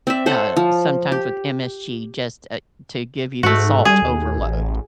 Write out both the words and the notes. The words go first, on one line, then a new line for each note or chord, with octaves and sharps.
uh, sometimes with MSG just, uh, to give you the salt overload.
C4 D5 E5
A4 C5 C#5 F#5
F3
G4
G#2 A3 F#4
G3 G#4
D#2
A1